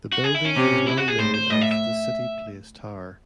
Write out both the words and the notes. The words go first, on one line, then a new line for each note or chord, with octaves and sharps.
The building is now known as the "City Place Tower".
F#4
G#4
E4
C#4
C3
E4
F#4
G#4
A2 C5
C5
A2 D#5
E5
E5